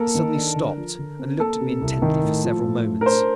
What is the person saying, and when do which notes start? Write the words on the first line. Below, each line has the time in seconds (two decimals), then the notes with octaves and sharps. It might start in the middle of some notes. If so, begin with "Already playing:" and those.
He suddenly stopped and looked at me intently for several moments.
Already playing: A#3 A4 A#4
0.15 D#3
0.36 D4
0.56 D3
0.77 F3
0.98 D3
1.19 C4
1.40 A#3 A4
1.60 C3
1.82 C2
2.02 D#3
2.22 A2
2.44 F3
2.65 A2
2.86 A3
3.01 A#4
3.06 D4 C5